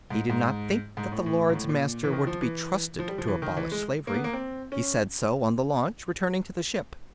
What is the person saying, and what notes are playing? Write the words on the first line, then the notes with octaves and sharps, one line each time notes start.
He did not think that the Lords-Master were to be trusted to abolish slavery; he said so, on the launch, returning to the ship.
G#2
G#2
G#2
A2
A2
G#2
A2
A#2
E3
D#3
F3
E3
F3
G3
F3
E3
D#3
E3
G#3
A#3
B3
A#3
C4
C#4